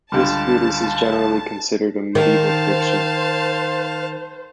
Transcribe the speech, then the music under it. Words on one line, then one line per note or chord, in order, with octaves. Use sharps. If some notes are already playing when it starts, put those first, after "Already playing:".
This Brutus is generally considered a medieval fiction.
C#2 D3 G3 A5
D#3 C5 F5 A5